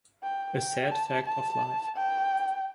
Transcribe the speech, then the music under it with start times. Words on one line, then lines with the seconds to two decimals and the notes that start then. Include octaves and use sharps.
A sad fact of life.
0.23 G5
0.58 G5
0.92 A5
1.26 A5
1.96 G5